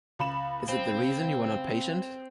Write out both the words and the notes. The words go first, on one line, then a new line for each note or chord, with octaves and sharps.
Is it the reason you were not patient?
C#2 B5 E7
C4